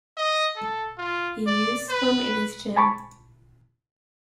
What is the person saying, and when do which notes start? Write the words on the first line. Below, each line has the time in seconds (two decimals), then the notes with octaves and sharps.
He used them in his gym.
0.17 D#5
0.56 A4
0.98 F4
1.47 D5
1.89 B4
2.76 G#5 A5 B5 C#6 D6